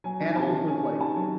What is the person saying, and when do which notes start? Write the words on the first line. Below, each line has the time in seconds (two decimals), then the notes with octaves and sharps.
animals with, like
0.04 F#3 G#5
0.20 D#3
0.30 G#5
0.36 C3 A5
0.52 D#3
0.68 C#4 G#5
0.84 C#4
1.00 D#3 A5
1.16 F#3